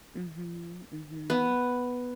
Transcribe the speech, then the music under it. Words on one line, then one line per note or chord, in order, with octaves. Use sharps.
Mhm. Mhm.
B3